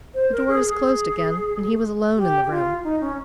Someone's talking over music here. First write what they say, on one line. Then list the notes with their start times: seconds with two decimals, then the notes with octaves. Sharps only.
The door was closed again, and he was alone in the room.
0.15 C5
0.32 A#4
0.48 G#4
0.66 G#4
2.17 G4
2.44 G4
2.50 F4
2.84 D#4
3.01 C#4